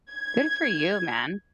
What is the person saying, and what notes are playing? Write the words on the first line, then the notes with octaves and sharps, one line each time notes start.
Good for you, man,
G#6